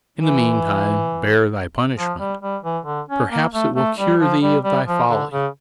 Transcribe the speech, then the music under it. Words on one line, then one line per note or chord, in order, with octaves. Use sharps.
In the meantime bear thy punishment; perhaps it will cure thee of thy folly.
E3
F3
G3
G3
E3
D3
C#4
A#3
A3
A3
G3
F3
G3
G3
F3
D3
C#3